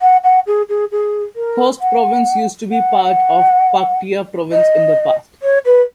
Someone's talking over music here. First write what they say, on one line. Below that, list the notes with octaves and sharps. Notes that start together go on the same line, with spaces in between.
Khost province used to be part of Paktia province in the past.
F#5
F#5
G#4
G#4
G#4
A#4
F#5
F#5
D#5
C#5
B4